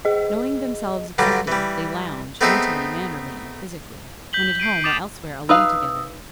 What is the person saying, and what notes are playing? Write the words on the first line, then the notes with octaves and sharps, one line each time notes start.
Knowing themselves accepted, they lounge--mentally, mannerly, and physically--when at home or elsewhere alone together.
G#4 D#5
G2 D3 F#3 G3
E3 G3
A3 B3 C4 D#4 G#4 A4
G6 B6 F#7 G7
G6 C7 D7 D#7
D6 D#6 A6 E7 F7
D#4 B4 F5 D#6 E6